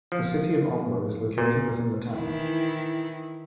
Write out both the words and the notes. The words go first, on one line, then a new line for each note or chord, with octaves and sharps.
The City of Omro is located within the town.
F3
A#2
D#3 E3 E4